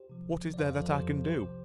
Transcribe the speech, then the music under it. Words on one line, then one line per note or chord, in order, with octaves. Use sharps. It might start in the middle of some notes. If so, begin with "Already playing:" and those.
What is there that I can do?
Already playing: G4 C5
C3 F3
C2
C3 F3
D5
F2 C5 F5
F3 A4 D5
F2 G4 C5
F3
C2 G4 C5
C3 F3